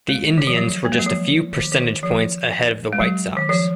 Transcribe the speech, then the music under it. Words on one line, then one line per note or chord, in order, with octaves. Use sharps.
The Indians were just a few percentage points ahead of the White Sox.
G#3
D#3
F3
F#3
A#3
G#3
F#3
F3
D#3
D#3
F3
G#3
F#3
D#3
F3